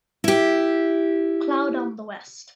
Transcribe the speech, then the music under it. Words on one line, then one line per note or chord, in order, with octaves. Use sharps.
Cloud on the west.
E4 G4